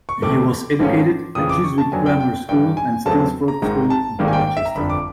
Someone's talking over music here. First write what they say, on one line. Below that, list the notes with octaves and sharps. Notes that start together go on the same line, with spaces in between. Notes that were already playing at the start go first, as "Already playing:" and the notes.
He was educated at Chiswick Grammar School and Stinsford School, Dorchester.
C#6
D2 C3 E3 A3 D6
A1 G#2 F3 A3 C#4
F2 C#3 E3 D#6
D6
C#6
A5
F2 D3 F#3 B3 G#5
G5
G5
G2 E3 G3 G5
G#5
E2 C#3 F#3 A3 C4 A5
A#5
G#1 G#2 D#3 G#3 A#5
A5
G#1 G#2 D#3 G3 A#3
G#5
G5
G5
E5
A#5
G1 F2 D3 B5
D6